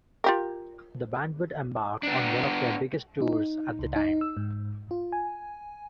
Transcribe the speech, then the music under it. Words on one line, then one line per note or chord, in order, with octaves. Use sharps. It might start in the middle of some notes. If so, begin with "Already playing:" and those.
The band would embark on one of their biggest tours at the time.
F4 G4 A#4
B3 D4
D#4
C#2
D#4
E6
G#2
F4
G#5